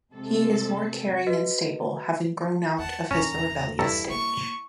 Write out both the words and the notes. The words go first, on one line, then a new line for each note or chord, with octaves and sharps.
He is more caring and stable, having grown out of his rebellious stage.
C3 G#3 A4
F#4 B4 D#5
E2 F#5 A5
D#1 E2 C#4 A#5
G2 E4 A4 A#5
A#3 C#6